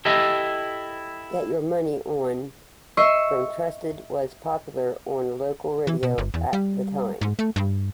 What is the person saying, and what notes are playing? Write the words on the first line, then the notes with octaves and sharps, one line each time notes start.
"Get Your Money On" from "Trusted" was popular on local radio at the time.
E4 G4 A4 D#5 E5
D#5 E5 C#6 E6 C7
E3
B2
G1
E2
G3
G#2
A3
G2